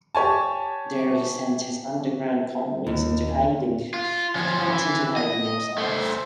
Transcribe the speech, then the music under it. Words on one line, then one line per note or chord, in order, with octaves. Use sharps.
There he sent his underground comrades into hiding and went into hiding himself.
G4 C#5 G#5 A5
D#2
F4
F3 C#4
E3
D#5
A3 C5